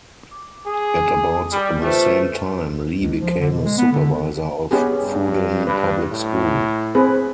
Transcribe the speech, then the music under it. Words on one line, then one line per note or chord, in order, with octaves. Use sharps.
At about the same time, Li became a supervisor of Fudan Public School.
D6
G#4
G3
A3 F4 B4 C5
C#2
F3
D3
B2
G#3
B3
D3
B3 C#4 G4 G#4
G2
G2 B4
A2
C4 G#4 B4